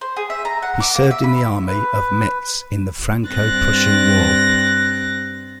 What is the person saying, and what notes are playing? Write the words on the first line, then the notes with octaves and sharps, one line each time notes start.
He served in the army of Metz in the Franco-Prussian War.
C5
G#4
E5
A#5
F#5
D6
A#3
E5
B5
B4
G2 C4 F#6 A6 A#6